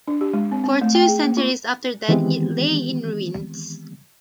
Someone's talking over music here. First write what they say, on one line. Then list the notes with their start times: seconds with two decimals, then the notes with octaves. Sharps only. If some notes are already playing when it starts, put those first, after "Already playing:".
For two centuries after that it lay in ruins.
0.08 D4
0.21 G4
0.33 G#3
0.52 C4
0.64 C4
0.82 A3
0.95 G5
1.08 G#4
1.23 A#3
1.37 F4
2.08 D#3 E3 G#3 B3 C4 G4